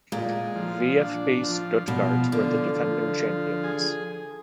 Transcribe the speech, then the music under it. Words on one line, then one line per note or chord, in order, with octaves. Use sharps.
VfB Stuttgart were the defending champions.
A#2 G#3
F3
D4
F3
B2 F3
D3 F3
F3
F3
G#4